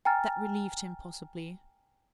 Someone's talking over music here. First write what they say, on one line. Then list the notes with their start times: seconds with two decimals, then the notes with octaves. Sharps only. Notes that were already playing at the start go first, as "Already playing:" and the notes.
That relieved him, possibly.
0.05 G5 G#5 A#5 F6 A6